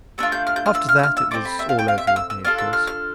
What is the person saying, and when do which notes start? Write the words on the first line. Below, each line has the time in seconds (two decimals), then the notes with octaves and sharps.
After that it was all over with me, of course.
0.18 A3 D4 F4 E6
0.32 G6
0.47 F6
0.56 G6
0.66 F6
0.75 E6
0.89 F6
0.99 E6
1.03 F6
1.17 E6
1.31 C4 E4 A4 D6
1.45 B5
1.59 E5
1.69 F5
1.79 G5
1.88 F5
1.98 E5
2.07 F5
2.16 E6
2.30 E6
2.45 D4 F4 A4 F6
2.58 E6
2.73 F6
2.87 F6